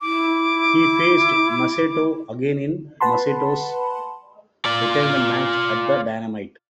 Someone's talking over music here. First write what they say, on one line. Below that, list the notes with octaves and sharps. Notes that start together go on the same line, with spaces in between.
He faced Masato again in Masato's retirement match at the Dynamite!!
E4 D6
B4 F#5 A5 B5 C6
F4 D5